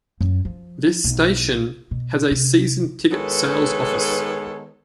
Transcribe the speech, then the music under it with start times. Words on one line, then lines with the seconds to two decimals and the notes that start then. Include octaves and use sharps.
This station has a season ticket sales office.
0.21 F#2
0.45 F3
1.04 B1
1.91 B2
2.31 C3
3.11 D#3 G#3 B3 A4 B4 C#5